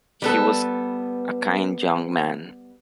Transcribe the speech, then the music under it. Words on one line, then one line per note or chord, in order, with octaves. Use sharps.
He was a kind young man.
G3 B3 A4